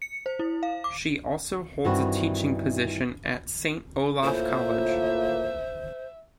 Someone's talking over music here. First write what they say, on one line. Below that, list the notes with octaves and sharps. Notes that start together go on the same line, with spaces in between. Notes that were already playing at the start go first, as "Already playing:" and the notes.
She also holds a teaching position at Saint Olaf College.
C#7
C5
E4
F5
D6
G2 D#3 E3 C4 E4 F#4
A2 A#3 F4 C5 E5